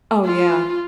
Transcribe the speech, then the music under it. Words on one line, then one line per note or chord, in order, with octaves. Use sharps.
Oh yeah.
F4